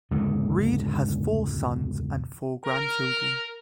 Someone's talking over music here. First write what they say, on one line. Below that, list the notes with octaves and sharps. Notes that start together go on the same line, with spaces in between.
Reid has four sons and four grandchildren.
E1 C#2 G#2 D3
A#4